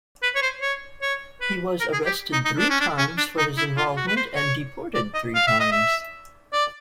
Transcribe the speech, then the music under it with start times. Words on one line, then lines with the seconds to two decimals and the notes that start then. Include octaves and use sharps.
He was arrested three times for his involvement and deported three times.
0.23 B4
0.35 C#5
0.42 C5
0.62 C#5
1.02 C#5
1.41 B4
1.80 A#4
1.93 G#4
2.06 G4
2.33 D#4
2.45 D#4
2.59 D4
2.70 C#4
2.81 D4
2.98 C#4
3.17 D4
3.38 D#4
3.58 E4
3.77 F4
3.97 F#4
4.08 B4
4.17 C5
4.36 C#5
4.95 D5
5.14 D#5
5.35 F5
5.47 E5
5.60 D#5
5.72 E5
6.53 D5